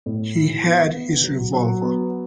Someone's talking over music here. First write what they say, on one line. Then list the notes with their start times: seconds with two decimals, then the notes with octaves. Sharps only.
He had his revolver.
0.06 A2
0.36 E4
0.65 B3
0.94 B3
1.24 F#3
1.53 F#3
1.82 B3